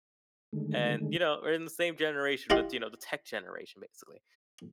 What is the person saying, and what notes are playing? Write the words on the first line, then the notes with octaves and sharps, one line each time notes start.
and, you know, we're in the same generation, th you know, the tech generation basically,
D3 D#3 G#3 A3
E4 F4 G4 D#5 F5 F#5